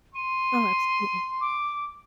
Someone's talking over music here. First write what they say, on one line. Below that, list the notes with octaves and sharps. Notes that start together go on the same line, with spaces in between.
Oh, absolutely.
C6 D#7
D6